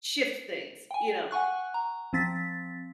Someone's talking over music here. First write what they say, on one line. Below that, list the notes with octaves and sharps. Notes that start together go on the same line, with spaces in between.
shift things, you know,
G5 G#5
F#5 G#5 C#6 F#6
A#5
F3 C4 A6 B6